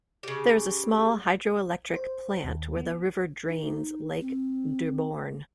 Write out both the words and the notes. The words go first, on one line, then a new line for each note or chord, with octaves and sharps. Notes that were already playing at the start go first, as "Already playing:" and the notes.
There is a small hydroelectric plant where the river drains Lake Duborne.
C#3 G4
C5
D#2
B3
D#4
C4